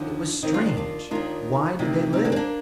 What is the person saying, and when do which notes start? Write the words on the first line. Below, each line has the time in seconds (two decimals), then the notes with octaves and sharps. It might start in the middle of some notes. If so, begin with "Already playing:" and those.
It was strange--why did they live?
Already playing: D#2 D3 F3 D4 F4
0.43 D#2 D#3 C4 D#4
0.54 D4 F4
0.66 D4 F4
0.77 D4 F4
1.11 D#2 D#3 D4 F4
1.79 D2 C3 D#3
2.13 C4 D#4
2.25 A#3 D4
2.32 C4
2.36 A#3 D4